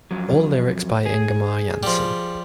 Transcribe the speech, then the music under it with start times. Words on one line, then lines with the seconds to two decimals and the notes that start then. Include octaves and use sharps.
All lyrics by Ingemar Jansson.
0.11 F2 F#3
1.06 G#4
1.83 F3 G3